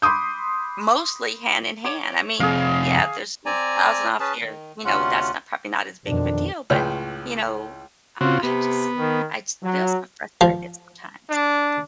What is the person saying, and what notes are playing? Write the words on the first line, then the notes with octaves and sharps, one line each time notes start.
mostly hand in hand. I mean, yeah, there's a thousand off here, you know, that's not probably not as big of a deal, but you know, I I just I just feel so frustrated sometimes.
B5 C6 D6 D#6 G6
C#5 D6
F2 C3 G#4 F5
C4 D5 G#5 A#5
C#4 G#4 B4 A5
D#3
D2 C3 C#4 F4 F#5
F2 B2 D#3 D4
C#2 A2 C#4 B4 G5
C#3 C4 F4 F#4
C3 B3
D#3
F#3
F3
D4